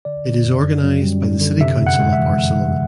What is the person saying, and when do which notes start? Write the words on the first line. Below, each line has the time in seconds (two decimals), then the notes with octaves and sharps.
It is organized by the City Council of Barcelona.
0.05 D3 D5
0.25 D3
0.45 F#2
0.63 F#2
0.83 F#2
1.02 G3
1.22 F#2
1.40 D3
1.61 C3 E5
1.79 F2
1.87 F#5
1.99 G#3
2.13 E5
2.18 E3